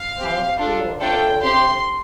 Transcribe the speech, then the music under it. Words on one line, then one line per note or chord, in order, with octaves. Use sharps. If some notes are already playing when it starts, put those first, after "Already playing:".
"How's school?" or
Already playing: F5
C4 G4
D4 F4 A4
A3 D4 F4 A4 G5
C4 G4 C6